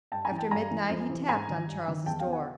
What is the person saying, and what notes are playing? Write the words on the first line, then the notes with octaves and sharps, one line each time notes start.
After midnight he tapped on Charles's door.
G2 G5 A5
G#5 A#5
E3
G5 A5
G2 G#5 A#5
E3
F2
C3 E3
G#2 G#5 A#5
D#3
G2
D#3
E2 G5 A5
F5 G5
B2
F#5 G#5